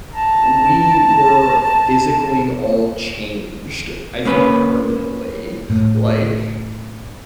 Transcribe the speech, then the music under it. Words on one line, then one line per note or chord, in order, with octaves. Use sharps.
we were physically all changed, I think permanently, like,
A5 A#5
A#3 C#4 B4
A2